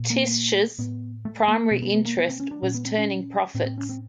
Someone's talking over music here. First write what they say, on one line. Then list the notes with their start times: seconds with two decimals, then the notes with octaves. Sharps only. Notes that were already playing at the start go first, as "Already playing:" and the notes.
Tisch's primary interest was turning profits.
Already playing: A#2
0.10 A#3
0.78 A2 B3
1.25 A3
1.48 A#3
1.71 B2 B3
1.82 B3
1.94 B3
2.05 A#3
2.17 B3
2.29 C4
2.40 C#4
2.51 D4
2.62 A#2 C#4
2.74 B3
2.85 C4
2.98 C#4
3.54 A2 C4
3.66 C4
3.78 C#4
3.89 C4